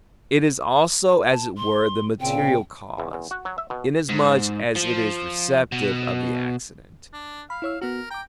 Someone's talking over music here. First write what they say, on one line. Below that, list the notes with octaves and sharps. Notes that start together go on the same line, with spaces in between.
It is also as it were the material cause, inasmuch as it is receptive of the accident.
A5
C6
A#2 C#3 C4 G5
E2
E2
F#4
F#3
E5
B2
G#2
F3
B2
D4
F5 B5
E4 C#5 E6
B3 F#4 A#4
G5 A#5 D6